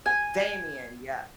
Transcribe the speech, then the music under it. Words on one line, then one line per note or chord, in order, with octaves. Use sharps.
Damien. Yep.
G#5